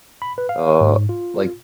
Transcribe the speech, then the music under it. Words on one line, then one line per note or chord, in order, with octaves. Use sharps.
Uh, like
B5
B4
F5
G#2
F4